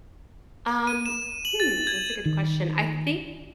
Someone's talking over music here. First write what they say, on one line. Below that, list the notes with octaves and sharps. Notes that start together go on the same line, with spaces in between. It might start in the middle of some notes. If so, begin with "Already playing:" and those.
Um, hmm, that's a good question, I think
D#7
E7
F#7
A6
G#6
D#3